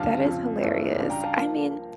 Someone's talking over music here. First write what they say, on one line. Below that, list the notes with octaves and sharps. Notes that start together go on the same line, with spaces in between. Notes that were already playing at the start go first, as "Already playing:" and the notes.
That is hilarious. I mean,
Already playing: D2 C#3 G3 D4 F4 F5 A5
F2 C#3 F3
G2 E3 A3 E4
C#2 C#3 G3 D4
G5 A#5
F5 A5
F3 A#3 F5 A5